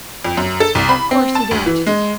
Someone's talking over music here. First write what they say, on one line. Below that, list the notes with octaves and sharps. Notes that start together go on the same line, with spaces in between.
Of course you don't.
F2
F#2
A4
C2
B5
C4
A5
D2
E3
G#3